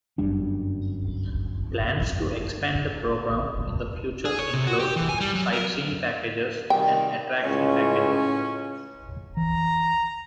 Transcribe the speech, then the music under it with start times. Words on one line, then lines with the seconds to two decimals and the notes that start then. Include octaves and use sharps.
Plans to expand the program in the future include sightseeing packages and attraction packages.
0.18 G1 F#2 G3 D4
4.25 G#4
4.39 C#5
4.54 C3
4.67 F#4
4.79 G4
4.96 E3
5.09 G#5
5.20 G3
5.35 F#3
5.53 A#4
6.70 C3 D#3 G3 G5
7.44 C#2 A2 C#4
9.37 E3 A#5